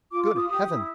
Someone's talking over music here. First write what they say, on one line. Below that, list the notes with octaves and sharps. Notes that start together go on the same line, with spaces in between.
Good heavens!
F4 D6
D6
F4
D#6
G4 D#6
E4